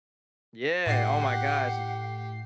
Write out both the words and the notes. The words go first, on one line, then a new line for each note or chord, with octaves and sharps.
Yeah! Oh, my gosh.
A2 G4 F#5 C7